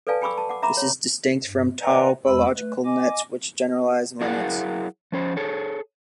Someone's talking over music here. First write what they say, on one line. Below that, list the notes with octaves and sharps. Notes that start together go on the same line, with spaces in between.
This is distinct from topological nets which generalise limits.
A4 B4 D5 F5 G#5 A5
G5 G#5 B5 C#6 D6 E6
A5
F#5 D6
E5 A#5 B5 D6
C#5
G2
B4 D5 D#5 F#5 G#5 A#5
F2 G#3 B5 E6
A3 B4
D#5 G#5 D6
F#3 E4 G#4 A#4 F5 F#5
F3 C#4 C5
G#4 A4 C#5